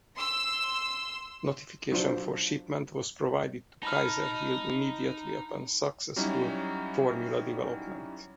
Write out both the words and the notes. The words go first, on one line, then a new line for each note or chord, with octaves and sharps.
Notification for shipment was provided to Kaiser-Hill immediately upon successful formula development.
C6 E6
F#3 D4 F4 C5
D#4 A5 B5 F6
F#3 G3 C#4 D#4 E4